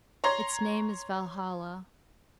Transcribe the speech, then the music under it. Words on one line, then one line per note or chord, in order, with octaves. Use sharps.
Its name is Valhalla.
C#5 A#5 C6